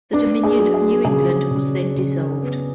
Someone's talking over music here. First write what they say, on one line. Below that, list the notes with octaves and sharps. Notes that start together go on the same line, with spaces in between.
The Dominion of New England was then dissolved.
B3 D4
G#4
F#3
G#4
C#3 G#4
C#3
C#3
B3